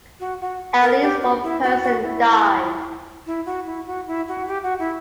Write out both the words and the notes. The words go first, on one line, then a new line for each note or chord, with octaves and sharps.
At least one person died.
F#4
F#4
A#4
G4
F#4
E4
F#4
F#4
E4
E4
F#4
E4
F#4
E4
F#4
G4
F#4
E4